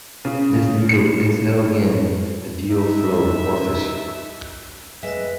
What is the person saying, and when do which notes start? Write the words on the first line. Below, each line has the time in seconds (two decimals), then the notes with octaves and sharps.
This needle is held in the fuel flow orifice.
0.25 C#3
0.89 C#7
2.70 D#4 E5
5.03 G#3 B4 E5